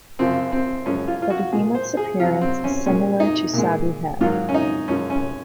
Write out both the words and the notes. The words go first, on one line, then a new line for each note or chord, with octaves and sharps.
The Behemoth's appearance is similar to Sadu-Hem.
F#2 C#3 F3 C4
C4
F#2 F3 G#3 C#4
F4
F4
F#4
A#2 F3 G#3 G#4
C5
G#4
C3 F#3 F4
C4
C#4
A#2 G#3 C#4
D#4
A#2 G#3
G#2 D#3 F#3 F4
C#4
D#4
F#2 F3 G#3 C#4
C#4